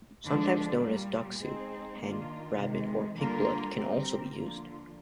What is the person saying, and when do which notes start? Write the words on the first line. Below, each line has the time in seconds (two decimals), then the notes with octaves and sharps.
Sometimes known as "duck soup", hen, rabbit or pig blood can also be used.
0.25 D3 F3 G#3 D4
0.84 A#2 G3 A#3
1.42 G#3 C4 D#4 G#4
2.00 D#3 A#3 D4 F4
2.58 C3 D#3 G#3
3.18 D3 G3 A#3 F4 A#4
3.75 G3 C4 G4 A#4
4.33 D3 F3 A#3 F4